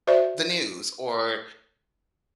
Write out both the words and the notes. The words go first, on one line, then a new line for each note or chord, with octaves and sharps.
the news" or,
F#4 C5 D5 E5